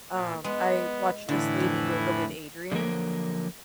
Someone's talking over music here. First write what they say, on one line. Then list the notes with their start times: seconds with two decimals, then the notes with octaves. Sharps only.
um, I watch this lady: Yoga With Adriene,
0.14 A#2
0.44 G#3 B3
1.29 A2 D3 E3 E4
1.60 F2
2.72 D3 F3 F#3 A#3 A#4